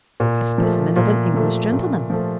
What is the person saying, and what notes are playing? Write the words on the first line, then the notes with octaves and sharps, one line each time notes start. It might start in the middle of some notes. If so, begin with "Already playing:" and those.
"A specimen of an English gentleman."
A#2
F3 A3
A#2
F3 A3
A#2
F3 A3